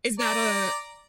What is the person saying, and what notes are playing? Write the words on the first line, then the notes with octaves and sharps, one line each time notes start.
Is that a
D5 A#5